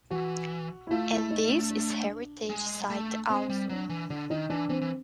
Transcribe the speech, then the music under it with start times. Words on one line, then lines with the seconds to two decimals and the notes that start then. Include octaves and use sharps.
And this is heritage site also.
0.11 E3 F#4
0.87 E4
0.91 A3 F4
1.10 E4
1.31 D#4
1.51 D4
1.70 D4
2.50 G#3
2.90 A3
3.30 G#3 C4
3.49 G3
3.69 F#3 D4
3.89 E3
4.10 D3 D4
4.30 D#3 D#4
4.50 E3 D4
4.69 E3 C4
4.81 E3